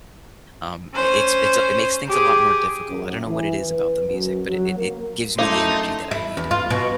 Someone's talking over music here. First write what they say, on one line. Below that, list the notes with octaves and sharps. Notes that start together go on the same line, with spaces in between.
um, i it's it's a it makes things a lot more difficult. I don't know what it is about the music, but it it it gives me the energy that I need.
C#4 C5
G4 G#4
F#2
E3
B4
F#2
F#3
A#3
F#2 A3 D#4 E4 F5 C6 D6
E4
E2
F4
B2